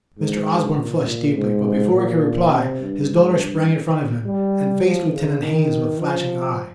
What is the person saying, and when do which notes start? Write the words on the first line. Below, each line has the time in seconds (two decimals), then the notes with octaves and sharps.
Mr. Osborne flushed deeply, but before he could reply, his daughter sprang in front of him, and faced Lieutenant Haines with flashing eye.
0.18 G#2
0.76 A#2
1.06 A#2
1.35 G#2
1.92 A#2
2.51 C3
2.80 G2
3.09 G#2
3.38 G2
4.25 G3
4.84 F3
5.12 C#3
5.42 D#3
6.00 F3